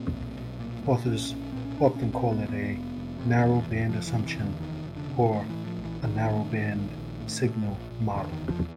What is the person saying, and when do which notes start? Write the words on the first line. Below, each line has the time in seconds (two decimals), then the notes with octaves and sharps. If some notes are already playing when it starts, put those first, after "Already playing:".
Authors often call it a "narrowband assumption", or a narrowband signal model.
Already playing: A#2 C4
0.12 B1
0.37 B1
0.59 A#2
0.83 A#2
1.07 B1 C#4
1.31 B1
1.52 A#2 C4
1.65 C#4
1.77 A#2 D4
1.96 C#4
2.01 B1
2.13 C4
2.25 B1
2.31 B3
2.48 E2 B3
2.71 F1
2.96 F1
3.19 C3
3.43 E2
3.67 F1
3.89 F1 F3
4.07 E3
4.14 C3
4.26 E3
4.36 E2
4.43 D3
4.60 F1 D#3
4.84 F1
4.96 D3
5.08 C3
5.31 A2 D#3
5.50 A2 E3
5.67 F3
5.78 A#1
5.84 E3
6.02 A#1 D#3
6.26 A2
6.50 A2
6.74 A#1
6.97 A#1
7.20 A2
7.44 A2
7.68 A#1
7.91 A#1
8.15 E2 D3
8.32 D#3
8.39 F#1
8.50 F3